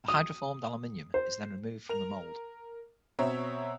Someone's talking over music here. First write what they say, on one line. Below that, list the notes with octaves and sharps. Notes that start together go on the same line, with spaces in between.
The hydroformed aluminium is then removed from the mold.
D#6
C5
A#4 F7
B2 C4 C#5 E5 A#5 E6